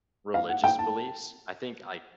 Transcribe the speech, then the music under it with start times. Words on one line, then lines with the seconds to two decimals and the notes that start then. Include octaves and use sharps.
religious beliefs, I think, l c
0.34 F5
0.49 F#5
0.64 G5
0.79 A5